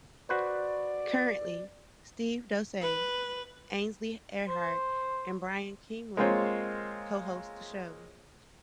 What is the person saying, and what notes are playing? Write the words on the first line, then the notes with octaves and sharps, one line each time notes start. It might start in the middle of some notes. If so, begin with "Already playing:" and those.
Currently, Steve Doocey, Ainsley Earhardt, and Brian Kilmeade cohost the show.
F#4 B4 C5 D5
B4
C5
G#3 A#3 C4 F4 C5 C#5